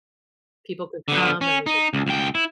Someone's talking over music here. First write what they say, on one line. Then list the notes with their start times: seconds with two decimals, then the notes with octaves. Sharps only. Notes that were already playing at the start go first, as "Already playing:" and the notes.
people could come, and we could
1.08 D3 B3
1.41 C#4
1.66 D#4
1.94 C#2
2.07 C#2 G5
2.35 E4